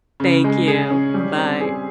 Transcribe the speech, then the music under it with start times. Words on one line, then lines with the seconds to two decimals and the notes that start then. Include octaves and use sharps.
Thank you, bye.
0.20 C#3
0.44 G#3
0.68 G#4
0.91 C#4
1.14 G3
1.38 C4
1.61 G#4